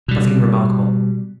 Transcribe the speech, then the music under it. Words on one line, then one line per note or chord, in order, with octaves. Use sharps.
Nothing remarkable.
B2 G3